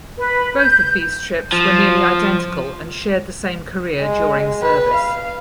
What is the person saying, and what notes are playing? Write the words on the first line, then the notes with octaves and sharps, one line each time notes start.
Both of these ships were nearly identical and shared the same career during service.
B4
G6
F3
G#3
B4
F5